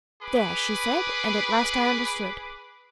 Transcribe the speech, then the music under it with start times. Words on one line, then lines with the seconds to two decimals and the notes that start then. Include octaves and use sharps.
"There!" she said--and at last I understood.
0.23 G#4 B4 B5 D6